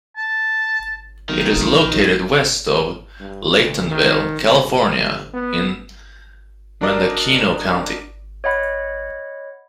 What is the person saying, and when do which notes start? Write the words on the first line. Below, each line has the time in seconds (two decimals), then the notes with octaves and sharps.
It is located west of Laytonville, California, in Mendocino County.
0.17 A5
1.29 B1 D#3
1.53 D1 A#1
1.91 D#2
3.20 G2
3.56 D2
3.91 D#3
4.41 G1
4.95 G1
5.34 B3
6.81 D4 F#4 A#4 D5 D#5
8.44 C#5 D#5 F#5 B5